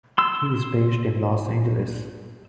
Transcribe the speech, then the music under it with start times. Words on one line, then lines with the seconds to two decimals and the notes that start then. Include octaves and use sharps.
He is based in Los Angeles.
0.18 C6 E6